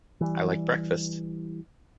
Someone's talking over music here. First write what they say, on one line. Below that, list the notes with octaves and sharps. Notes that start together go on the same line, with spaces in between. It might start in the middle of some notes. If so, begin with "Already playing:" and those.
I like breakfast.
E3 G3